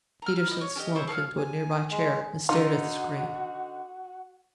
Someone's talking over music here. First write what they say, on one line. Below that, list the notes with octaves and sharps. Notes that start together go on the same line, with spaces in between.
Peterson slumped into a nearby chair and stared at the screen.
A#5 F6
E4 D#5
C#5
C#4 G4 A4 D#5
C4 E4 C5 C#5
G#4 A4 C#5 F5
G#5
G#3
D3 D#4 F4 F#4